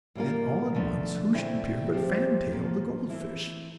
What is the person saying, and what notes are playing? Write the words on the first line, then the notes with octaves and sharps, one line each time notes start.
And, all at once, who should appear but Fan Tail, the gold fish.
A2 G3 A#3 F4 A#4
D3 F3 A3
A#2 A3 C4 E4
F3 C4 G4 C5 E5
A2 F3 A#3 F4
E3 A3 C4 E4